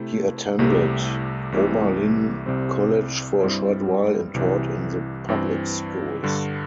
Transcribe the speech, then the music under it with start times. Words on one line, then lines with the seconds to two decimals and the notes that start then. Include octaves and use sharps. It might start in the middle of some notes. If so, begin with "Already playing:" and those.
He attended Oberlin College for a short while and taught in the public schools.
Already playing: C3 A3 E4 C5
0.59 C2 C3 A3 E4 G4
1.52 C2 C3 E3 A3
2.46 C2 C3 G3 C4
3.40 G2 G3 C4 E4 C5
4.34 C2 C3 E3
5.29 G2 E3 C4
6.23 G2 D3 G3